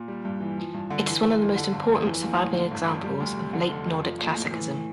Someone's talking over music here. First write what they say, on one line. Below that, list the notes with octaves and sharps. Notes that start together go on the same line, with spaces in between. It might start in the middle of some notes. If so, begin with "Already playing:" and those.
It is one of the most important surviving examples of late Nordic Classicism.
Already playing: A#2
G3
G2
E3
F3
G2
D3
E3
F1
F2
D3
G1
F2
E3
A#1
A2
D3
G1
F2
G3
D2
C3
D3
F1
F2
F3
A#1
A2
E3